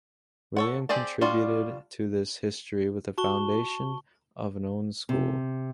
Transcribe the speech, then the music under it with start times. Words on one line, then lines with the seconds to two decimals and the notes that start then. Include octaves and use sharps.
William contributed to this history with the foundation of an own school.
0.57 A4 C#5 F#5
0.89 C4 G4 G#4 D5 A5
1.21 G3 D4 F4 F#4
3.18 F#4 A5 C#6 G7
5.09 C3